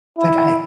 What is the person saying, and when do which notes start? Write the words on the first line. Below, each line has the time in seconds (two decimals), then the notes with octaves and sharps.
like I
0.18 E4